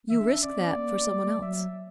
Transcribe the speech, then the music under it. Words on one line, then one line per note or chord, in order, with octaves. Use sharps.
"You risk that for some one else."
E3 E5
D4
C#4
D4
C#4 D5
B3
C#4
A#3
A#3
G3
A#3
G3
F#3 E5